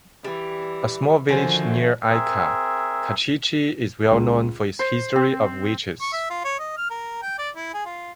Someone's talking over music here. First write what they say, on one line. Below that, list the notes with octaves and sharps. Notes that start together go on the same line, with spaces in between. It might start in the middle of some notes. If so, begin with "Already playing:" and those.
A small village near Ica, Cachiche is well known for its history of witches.
E3 G3
D3 D#3 F3 A3 F#4 C5 G#5 D7
C4 G#4 A#4 E5
C#2
C5
C4
C#6
E5
F4
C#5
D#5
F6
A#4
G5
D5
E4
G#4
F4